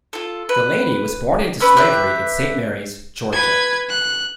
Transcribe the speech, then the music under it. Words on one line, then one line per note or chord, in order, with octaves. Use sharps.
Delany was born into slavery in Saint Mary's, Georgia.
F4 A4
B4
C#4 B4 B5 E6
G4 B4 E5
B4 G#6
F#6